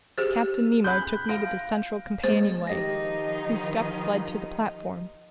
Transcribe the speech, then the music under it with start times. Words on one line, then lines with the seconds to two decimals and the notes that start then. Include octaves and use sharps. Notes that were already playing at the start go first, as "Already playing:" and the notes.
Captain Nemo took me to the central companionway whose steps led to the platform.
0.18 G4 G#4 C5
0.84 B5 F#6 G6
1.29 F5 A#6 D7
2.24 G#3 C5
2.67 D#3 F3 D#4 G4 D#5 A#6